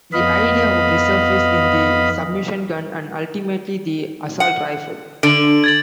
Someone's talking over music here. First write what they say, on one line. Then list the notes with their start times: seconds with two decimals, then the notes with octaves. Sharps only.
The idea would resurface in the submachine gun and ultimately the assault rifle.
0.13 F2 B3 D#5 F5 B5
4.40 F#5
5.23 D3 D7 F#7
5.64 G#6 A6 F#7